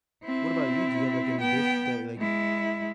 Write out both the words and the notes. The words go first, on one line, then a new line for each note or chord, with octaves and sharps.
What about you? Do you have, like, any dish that, like,
C4 E4
B3 G5
G#3 E4